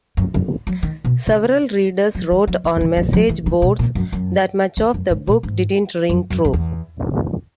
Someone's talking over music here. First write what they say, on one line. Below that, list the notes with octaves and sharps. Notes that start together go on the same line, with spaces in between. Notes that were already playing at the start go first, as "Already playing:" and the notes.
Several readers wrote on message boards that much of the book didn't ring true.
F#2
F#2
F#3
D#3
B2
C#3
F#3
E3
F#3
E3
E3
F#3
F#3
E3
D#3
B2
A#2
F#2
F#2
E2
F#2
G#2
A#2
G#2
F#2
F#2
F#2
E2